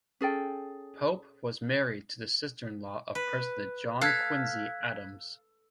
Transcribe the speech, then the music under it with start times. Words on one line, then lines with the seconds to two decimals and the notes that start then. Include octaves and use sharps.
Pope was married to the sister-in-law of President John Quincy Adams.
0.21 C#4 G#4 A4 G5
3.15 B4
4.01 A4 F5 F#6 G#6 B6